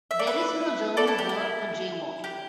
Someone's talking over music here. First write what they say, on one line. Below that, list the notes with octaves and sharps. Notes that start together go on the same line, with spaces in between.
There is no German word for jaywalking.
E5
D5
B4 E5
A4 D5
E4 A4
G4
E4
G4